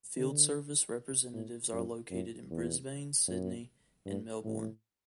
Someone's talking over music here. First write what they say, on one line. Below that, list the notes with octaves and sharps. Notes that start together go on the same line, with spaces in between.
Field Service representatives are located in Brisbane, Sydney and Melbourne.
D3
A2
F#2
F#2
E2
F#2
G2
A2